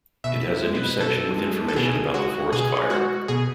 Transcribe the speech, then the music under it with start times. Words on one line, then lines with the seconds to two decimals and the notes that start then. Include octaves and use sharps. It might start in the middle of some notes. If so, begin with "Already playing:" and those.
It has a new section with information about the forest fire.
0.24 B2 E5
0.62 G#3
0.75 B4
1.00 B2 A4
1.38 G#3
1.68 A4
1.76 B2 G#4
2.14 G#3 F#4
2.52 B2 G#4
2.90 G#3 F#4
3.28 B2 G#4